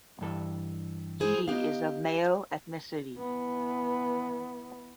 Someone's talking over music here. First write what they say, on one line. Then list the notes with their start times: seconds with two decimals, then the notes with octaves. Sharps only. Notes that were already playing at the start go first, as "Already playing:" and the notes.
He is of Miao ethnicity.
0.21 G2 E3 A4
1.20 E4 G#4 C5
1.48 B3 D#4 G4 F5
3.18 E3 B3